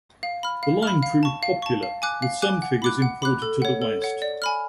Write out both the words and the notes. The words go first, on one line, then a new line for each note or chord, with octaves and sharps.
The line proved popular, with some figures imported to the west.
F5
B5 F6
F5
B5 F6
F5
A5 C#6
F5
A5 C#6
F5
G#5 D6 F#6
F5
G#5 D6 F#6
F#5
B5 D6 F#6
F#5
B5 D6 F#6
A4
C#5 F#5
A4
C#5 F#5
D5
G#5 B5 F6